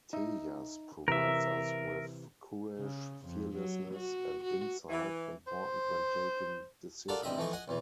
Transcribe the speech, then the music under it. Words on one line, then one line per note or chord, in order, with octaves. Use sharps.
Tejas provides us with courage, fearlessness and insight, important when taking decisions.
D#4 E5
C3 E3 A#4 E5
C#3
F2
F#3
F#4
F#4
E3
C5
F4 F#4 A4 A#4 D5
A1 D3 C4 D#5 E5 B5
E3 F3 A3 D#5 C#6
D#5 F#5 G#5
B1 E2 E3